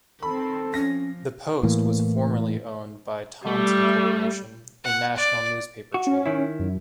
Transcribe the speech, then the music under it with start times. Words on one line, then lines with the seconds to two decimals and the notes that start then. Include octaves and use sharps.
The "Post" was formerly owned by Thomson Corporation, a national newspaper chain.
0.23 D#3 C4 A4 B5
0.74 F3 C#4 A#6
1.63 A2 E3 A#3
3.47 G3 A3
4.84 F#5
5.16 D5
5.94 F#4
6.07 C#4
6.26 D#3 E4
6.59 F#2